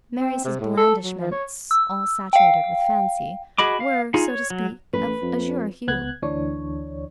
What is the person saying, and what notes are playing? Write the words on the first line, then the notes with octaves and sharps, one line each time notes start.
Marius' blandishments, all saturated with fancy, were, so to speak, of azure hue.
C4
C3
A2
A4
F#3
F3
C#5
E6
F5 G5
F#4 G#4 D#5 B5 D6
F5
D#4 F4 G#4
C#5
F#3
A1 B4
F2
C#2 B3 F#6 G#6
D2 E3 D4 C#5